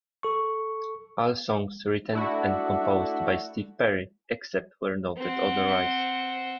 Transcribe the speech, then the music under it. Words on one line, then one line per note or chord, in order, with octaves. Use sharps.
All songs written and composed by Steve Perry, except where noted otherwise.
A4 C#6
A3 D4 E4 F#4
C4 F#5